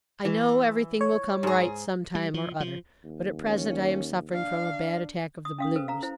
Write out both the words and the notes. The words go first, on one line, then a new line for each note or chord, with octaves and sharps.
I know everything will come right some time or other, but at present I am suffering from a bad attack of the blues.
E3
C#5
G#2 G#4
G3
F3
F3
D#2
C#4
D4 F5
D#6
C#4 F5 D#6
A4 B4 C5
F5 A#5
E4 C5